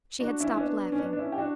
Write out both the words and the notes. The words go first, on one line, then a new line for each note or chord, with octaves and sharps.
She had stopped laughing.
D4 F#4
C#4 E4
C#4
B3 D4
C#4
B3 D4
D4
C#4 E4
G4
D4 F#4